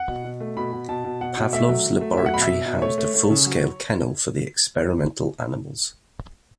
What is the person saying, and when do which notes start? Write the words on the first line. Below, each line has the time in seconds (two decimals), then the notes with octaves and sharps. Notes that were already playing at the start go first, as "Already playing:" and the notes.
Pavlov's laboratory housed a full-scale kennel for the experimental animals.
Already playing: F#5
0.08 B2
0.24 B2
0.40 A3
0.57 B2 B5
0.73 B2
0.88 B2 A5
1.04 B2
1.21 B2 F#5
1.37 B2
1.53 A3 E5
1.69 F#3
1.85 F#3
2.01 A3
2.17 F#3 E5
2.26 F#5
2.34 B2 B5
2.42 E5
2.50 B2
2.66 B2
2.82 A3 C#5
2.98 A3
3.14 A3
3.30 C#3
3.46 F#3